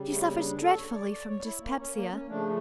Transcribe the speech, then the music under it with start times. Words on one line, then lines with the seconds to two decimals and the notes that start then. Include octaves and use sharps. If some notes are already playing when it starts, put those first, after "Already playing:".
She suffers dreadfully from dyspepsia.
Already playing: C#3 G3
0.10 A3
0.22 C#4
0.27 A#3
0.43 D4
0.61 A4
0.78 C#5
0.94 D5
1.11 D5
1.28 C#5
1.44 E4
1.61 A#3
1.78 C#4
1.94 A#3
2.12 C#4
2.28 C#3 F3 A3 D4